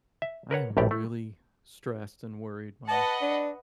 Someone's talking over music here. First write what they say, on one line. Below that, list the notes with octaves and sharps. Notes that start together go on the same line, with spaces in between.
I am really stressed and worried, my
E5
A#4 B4 C#5 F#5
A#1 A2 G4 D5
A3
B4 D#5 F#5 A5
D4